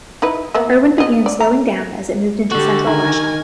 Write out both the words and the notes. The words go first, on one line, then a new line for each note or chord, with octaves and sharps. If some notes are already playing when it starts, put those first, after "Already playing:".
Erwin began slowing down as it moved into Central Russia.
D#4 E4 B4
A#3 B3 E5
G#4 D#5
D5
A#5
D3 F#4 G4 A4
D#3 A#4 G#5